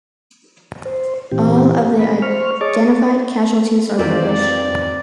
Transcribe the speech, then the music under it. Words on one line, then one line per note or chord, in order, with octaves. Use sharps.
All of the identified casualties are British.
C5
A#2 E3 C4 G4
B5
C5 C#6 F6
G#4 C#5 D#5 A5 C#6 D6
F2 D#3 E3 F#3 A#3 C4 G4 D5